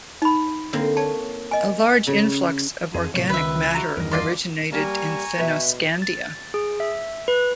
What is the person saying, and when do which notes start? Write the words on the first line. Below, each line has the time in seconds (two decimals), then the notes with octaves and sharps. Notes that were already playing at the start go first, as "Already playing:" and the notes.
A large influx of organic matter originated in Fennoscandia.
0.22 D#4 B5
0.73 D3 A#3 C4
0.97 C#5 A5
1.51 D#5 G#5
2.07 C#3
2.94 F2 G#4
3.14 A2 C3 F#3 C#5
3.29 C#2 D#3 B4 E5
3.75 F#4 A#5
3.97 E2 G2 D#3 A#4 D#5
4.11 F4 D5 C6
4.72 G3 A#3 G#5 A#5 C#6
5.38 B2 B4 E5
6.02 A6
6.54 G#4
6.80 E5
7.28 B4